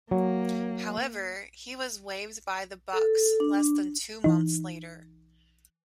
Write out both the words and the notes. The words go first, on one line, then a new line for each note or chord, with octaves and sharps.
However, he was waived by the Bucks less than two months later.
F#3 A#3
A4
D4
E3 D#4